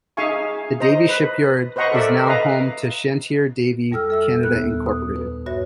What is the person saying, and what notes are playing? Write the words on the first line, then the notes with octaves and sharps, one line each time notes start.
The Davie Shipyard is now home to Chantier Davie Canada Incorporated.
D#4 G#4 E5 F5 G#5 C#6
C5 D#5 A#5
B4
B4 C5 D#5 F#5 A#5 C#6
A4 A#4 D5 E5 A#5
B4 D#5 F5 A#5
F2 G3 A4 E6 F6
A4 E5 E6
D#2 A#2 B3 F#6
D#6
B4
G2 F#4 C#5 E5 A#6